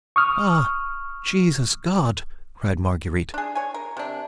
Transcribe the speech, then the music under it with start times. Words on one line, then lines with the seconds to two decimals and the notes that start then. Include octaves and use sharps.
"Ah! Jesus God!" cried Marguerite.
0.16 C#6 D#6 F6
3.34 D4 G#4
3.55 C#5 G#5
3.74 A#4
3.97 C3 D4